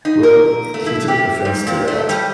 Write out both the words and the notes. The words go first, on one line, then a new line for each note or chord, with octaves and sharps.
Well, h he took offense to that
D#4
A#4
A3
E4
G4
G#2
A#2
A3
G3